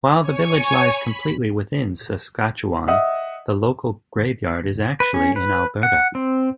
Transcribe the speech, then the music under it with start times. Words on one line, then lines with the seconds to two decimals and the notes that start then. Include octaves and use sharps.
While the village lies completely within Saskatchewan, the local graveyard is actually in Alberta.
0.20 C#5 G#5 C#6
0.92 B5
2.88 D#5 E5 F#5 D#6
5.00 B4
5.14 C#4
5.36 B4
5.83 F#5
6.15 C4